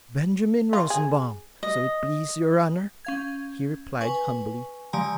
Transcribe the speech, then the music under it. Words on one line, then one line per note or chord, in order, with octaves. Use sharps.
"Benjamin Rosenbaum, so it please your Honour," he replied humbly.
F4
G#4
D#5
C#4 F5 G#6
B4 G#5 C#6
D3 F3 G#3 G4 G#5 A#5